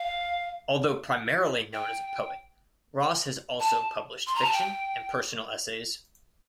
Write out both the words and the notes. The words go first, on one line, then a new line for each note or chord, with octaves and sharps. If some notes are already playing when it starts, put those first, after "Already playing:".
Although primarily known as a poet, Ross has also published fiction and personal essays.
Already playing: F5
G5
A5
C6
A#5
A5
G5